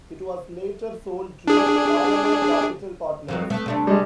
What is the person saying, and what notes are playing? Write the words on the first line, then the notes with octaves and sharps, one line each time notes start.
It was later sold to Palamon Capital Partners.
D4 G#4
F2 D#3 F#3
A3 B3
C3 A3 D4
G3 G#3